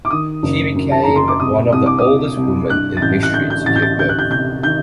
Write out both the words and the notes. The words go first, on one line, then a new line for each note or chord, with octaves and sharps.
She became one of the oldest women in history to give birth.
D6
D#3 D#6
F#1
F#2
A5
F#1 A#5
C6
D6
C2 D#6
C2 D#6
D6
D#6
C2
C2
G2 F#6
A6
A1 G6
F#6
D3 G6
G6
A1 A6
G6
A6
D2 G6
F#6
G6
C3 G6
D#3 G6